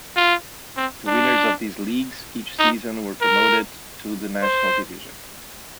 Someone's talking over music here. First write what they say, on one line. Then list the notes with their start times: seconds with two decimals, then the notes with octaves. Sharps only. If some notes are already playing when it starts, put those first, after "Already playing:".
The winners of these leagues each season were promoted to the National Division.
0.16 F4
0.77 C4
1.07 D4
2.60 D#4
3.21 A#4
4.43 C5